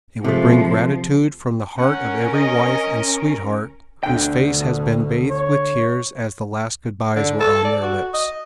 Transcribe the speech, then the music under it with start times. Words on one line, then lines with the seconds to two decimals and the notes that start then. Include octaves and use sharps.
It would bring gratitude from the heart of every wife and sweetheart whose face has been bathed with tears as the last good-bys were on their lips.
0.24 C3 F3 G#3 A3
1.78 C#4 A#4 F#5
2.34 D#5
4.03 D2 B2 D3 G5
5.30 C#5
7.16 D3
7.40 A4
7.64 D5
7.83 F#4
8.14 D#5